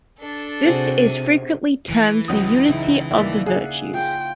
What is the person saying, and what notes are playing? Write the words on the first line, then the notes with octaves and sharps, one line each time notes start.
This is frequently termed the Unity of the Virtues.
D4 A4
C3 C4 F#4 G#4
G#5
E3
C#2 F#3 D#6
C#3 D#4 E4
D#2 A#3 D5 E5
G#4 F#5
F4 G5